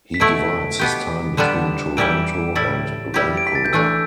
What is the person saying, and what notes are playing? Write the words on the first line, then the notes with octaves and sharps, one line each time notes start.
He divides his time between Toronto and Vancouver.
B6
B2 A3 E4 D7
B2 B3 G4
D3 G3 B3 D4 E7
E3 G3 E4 G4 D7
A2 G3 E4 A6
G3 E4 G4
D7
B6
A6
G6
E3 A3 D4 E6